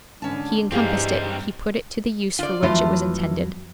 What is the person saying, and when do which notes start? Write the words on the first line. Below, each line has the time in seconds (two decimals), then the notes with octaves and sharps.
If he encompassed it, he put it to the use for which it was intended.
0.22 G#2 D3 C#4 A5
0.72 G2 E3 G3 C4 D#4 G4 G#4 F5
2.39 F4 D5
2.63 F2 E3 F#3 A3 F4